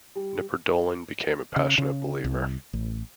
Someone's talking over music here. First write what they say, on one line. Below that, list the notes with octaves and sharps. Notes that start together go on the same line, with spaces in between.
Knipperdolling became a passionate believer.
G3
C#3
C#3
C2
A1